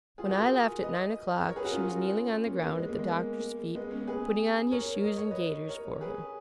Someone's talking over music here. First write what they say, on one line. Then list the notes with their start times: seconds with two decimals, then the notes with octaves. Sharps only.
When I left, at nine o'clock, she was kneeling on the ground at the Doctor's feet, putting on his shoes and gaiters for him.
0.18 F4 G#4
0.29 F#4 A#4
0.40 G#4 B4
0.83 B4 D#5
1.48 A#4 C#5
1.56 G#4 B4
1.64 F#4 A#4
1.72 C#4 F4
2.45 A#3 C#4
2.78 G#3 B3
2.89 A#3
2.99 G#3
3.10 A#3
3.75 G#3 B3
3.91 A#3 C#4
4.08 G#4 B4
4.72 A#4 C#5
5.04 D#5
5.17 C#5
5.31 B4 D#5
5.69 A#4 C#5
6.01 G#4 B4